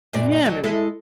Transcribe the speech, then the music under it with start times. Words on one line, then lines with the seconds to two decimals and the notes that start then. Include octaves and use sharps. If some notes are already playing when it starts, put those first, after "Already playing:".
Yeah, maybe.
0.13 F#2 A#2 D4
0.45 D2 F#3 D#4
0.64 G#3 E4 A4